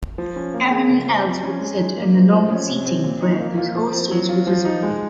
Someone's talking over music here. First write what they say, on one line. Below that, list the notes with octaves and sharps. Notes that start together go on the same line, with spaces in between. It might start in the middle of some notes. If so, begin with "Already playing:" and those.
Everyone else would sit in the normal seating where the whole stage was visible.
F3
C#4
A#3
G#4
C#3
C4
F3
C#4
G#3
D#4
A#3
C5
F3
C#4
C3
C4
A#2
D#4
A#3
F4
F3
C4
F#3
F4
F3
D#4
G#3